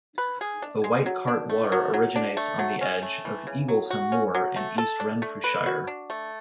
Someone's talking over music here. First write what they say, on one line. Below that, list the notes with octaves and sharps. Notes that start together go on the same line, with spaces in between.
The White Cart Water originates on the edge of Eaglesham moor in East Renfrewshire.
B4
G#4
D4
G#3
F#3
D4
A3
F#3
F#3
D4
A3
F#3
C#4
A3
E3
C#3
F#3
F#4
C#4
F#3
A3
A4
D4
A3
B4
F#4
D4
A3